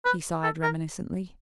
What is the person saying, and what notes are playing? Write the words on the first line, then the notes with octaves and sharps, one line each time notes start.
He sighed reminiscently.
B4
A4
A#4